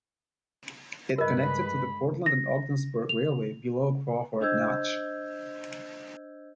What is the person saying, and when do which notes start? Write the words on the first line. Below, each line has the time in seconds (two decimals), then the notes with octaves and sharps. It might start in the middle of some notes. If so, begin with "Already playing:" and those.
It connected to the Portland and Ogdensburg Railway below Crawford Notch.
1.18 G2 G#3 A#4 B4 D#5 B5
2.26 A#6
3.09 F7
4.41 D4 C5 D#5 E6 G6 G#6